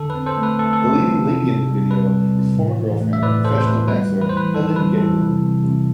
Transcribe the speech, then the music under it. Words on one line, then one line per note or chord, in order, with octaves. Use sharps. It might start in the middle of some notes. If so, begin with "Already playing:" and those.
The leading lady in the video is former girlfriend and professional dancer Helen Gedlu.
Already playing: D3 A4
B4
C4
A4 C5
A3
B4
A3 A4
A4
A3
C4
C3
C3
G3
G3 B4
G3
C3
A2
E3
A3
E5
A2 B4 D5
A2 A4 C5
C5
A3 B4
G3 B4
E3
B4
C5
E3 B4
E3 A4
G3 B4
E3 A4
C3
C3
C3